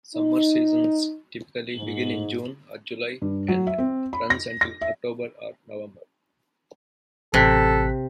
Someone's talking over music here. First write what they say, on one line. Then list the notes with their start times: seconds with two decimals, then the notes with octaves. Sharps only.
Summer seasons typically begin in June or July and runs until October or November.
0.16 D#4
1.77 G#2
3.22 G2
3.48 F#3
3.67 E5
3.78 C4
4.13 B5
4.30 A#6
4.61 A#6
4.81 E5
7.34 A1 C3 A4 F#6 B6